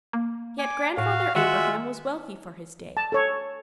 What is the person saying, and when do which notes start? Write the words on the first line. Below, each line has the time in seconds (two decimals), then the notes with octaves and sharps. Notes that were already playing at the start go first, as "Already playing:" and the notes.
Yet Grandfather Abraham was wealthy for his day.
0.13 A#3
0.58 G#5 D6
0.97 A2 F#4 F5
1.35 D#3 G#3 F4 F#4 E5
2.97 A5
3.12 A4 C#5